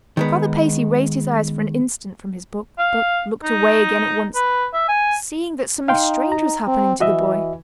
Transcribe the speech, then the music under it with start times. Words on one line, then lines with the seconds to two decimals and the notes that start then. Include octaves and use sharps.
Father Paissy raised his eyes for an instant from his book, but looked away again at once, seeing that something strange was happening to the boy.
0.17 D#3 G#3 B3
2.79 F5
3.43 D#4
4.35 B4
4.74 E5
4.89 G#5
5.88 D#4 F5 G5 C6
6.32 A#5
6.67 C4
7.00 E3 F#4 D#5 E5